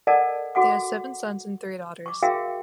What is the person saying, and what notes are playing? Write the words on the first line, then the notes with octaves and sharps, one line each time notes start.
They had seven sons and three daughters.
A4 A#4 D5 D#5 F#5 A5
F#4 A4 F#5 D6
C#6 D6
F#4 G#4 A#4 E5 F5 G5